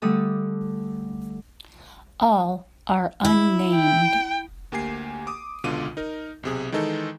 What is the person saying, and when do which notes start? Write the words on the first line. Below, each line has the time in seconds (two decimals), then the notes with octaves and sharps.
All are unnamed.
0.02 D3 G3 A3 A4 D#6 E6
3.25 E4
3.76 G5
4.72 D2 A#3 G4 G#5 C7
5.27 D6 D#6
5.64 C#2 B2 D3 F4 D6 D#7
5.97 D#4 A#4
6.43 B1 C3 G#4
6.72 D#3 E3 G#3 D#4 A4